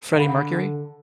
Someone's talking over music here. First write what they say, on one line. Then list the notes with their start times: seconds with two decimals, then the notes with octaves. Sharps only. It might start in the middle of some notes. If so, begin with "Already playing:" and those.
Freddie Mercury?
0.15 D3 F5 F#5 B5